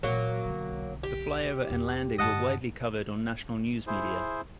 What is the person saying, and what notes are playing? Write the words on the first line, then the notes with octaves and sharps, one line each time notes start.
The flyover and landing were widely covered on national news media.
A#2 E3 F#3 A#3
B1 D3
G4
E2
G2 D3 D#5 F#5 A5
E4 G#4 C5